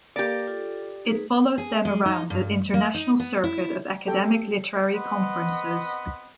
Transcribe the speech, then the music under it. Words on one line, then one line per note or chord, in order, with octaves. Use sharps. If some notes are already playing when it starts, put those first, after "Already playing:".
It follows them around the international circuit of academic literary conferences.
A#3 G4 A#4 D5 F5
F4 A4
D#4 G#4 B4
G#4
G#3
D#4
G2
A#3
D#4
B3
E4
G4 A4 G5
B3 C4 D#5 F#5 B5